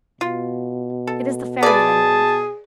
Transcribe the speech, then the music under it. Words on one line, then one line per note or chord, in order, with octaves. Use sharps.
It is the fairy language.
B2 F4
A4
G#4 B4 D5 A5